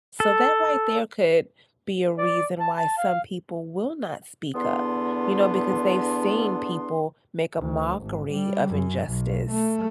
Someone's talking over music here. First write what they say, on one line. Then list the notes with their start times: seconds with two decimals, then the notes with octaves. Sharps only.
So, that right there could be a reason why some people will not speak up, you know, because they've seen people make a mockery of injustice.
0.20 A4
2.18 D5
2.59 A5
2.77 A5
2.98 F5
4.54 E2 D3 B3 D4 C6
7.58 D2
8.02 G#1
8.32 G3
8.71 F#2
9.06 B1
9.51 A3